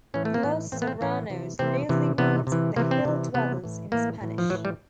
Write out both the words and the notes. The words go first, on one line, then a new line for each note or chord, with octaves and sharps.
Los Serranos loosely means "the hill-dwellers" in Spanish.
A2 E3 C#4
A3
A#3
A2 E3 B3
A2 E3 C4
B3
C4
A2 E3 C#4
C3 E3
C3 E3 C4
C3 E3
C3 E3 B3
C3
E3
C3 E3 A#3
C4
C3 E3
C3 E3 B3
A2 E3
A2 E3 A#3
A2 E3
F3
A2 E3 F#3
G3